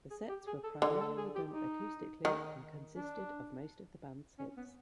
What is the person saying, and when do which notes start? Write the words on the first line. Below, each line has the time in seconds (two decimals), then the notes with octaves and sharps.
The sets were primarily done acoustically and consisted of most of the band's hits.
0.10 G#4
0.29 G4
0.47 G#4
0.64 A4
0.82 D3 G#4
1.00 A4
1.17 G#4
1.36 G4
1.53 D#4
2.25 D#3
2.96 D4
4.39 C#4
4.57 B3